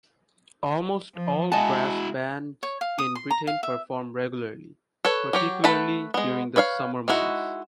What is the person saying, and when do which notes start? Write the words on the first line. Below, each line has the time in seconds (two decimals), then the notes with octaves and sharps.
Almost all brass bands in Britain perform regularly, particularly during the summer months.
1.14 F3
1.52 G#3 E4 F#4 D#5 G#5 A5
2.63 C#5
2.81 F5
2.98 D#6
3.15 C6
3.30 A#5
3.47 F5
3.63 E5
5.05 A4 B4 C#5
5.33 F#3 G4 C#5
5.64 A3 B4 F#5 A5 B5
6.14 G#3 B3
6.56 B4 C#5 E5 F5
7.08 G#3 D#4 E4 F#4